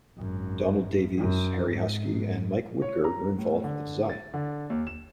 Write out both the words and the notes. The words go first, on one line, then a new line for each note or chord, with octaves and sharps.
Donald Davies, Harry Huskey and Mike Woodger were involved with the design.
G#1 F#2
F#2
G#2
C#5
A#5
A2
D3
A6
D3
D#2
E7